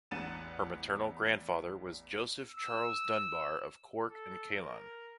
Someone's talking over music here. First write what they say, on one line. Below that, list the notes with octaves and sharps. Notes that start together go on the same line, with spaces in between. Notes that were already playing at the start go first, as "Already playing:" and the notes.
Her maternal grandfather was Joseph Charles Dunbar of Cork and Ceylon.
A1 E2 F#5 A6 D#7 E7
E6
A4
A#4